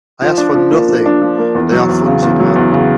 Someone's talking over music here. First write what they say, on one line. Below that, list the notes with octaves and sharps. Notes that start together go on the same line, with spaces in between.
I ask for nothing; there are funds in hand.
F3
D4
F3
A#3
F3
D4
F3
A#3
E2
F#3
E2
C#3
E2
F#3
E2
C#3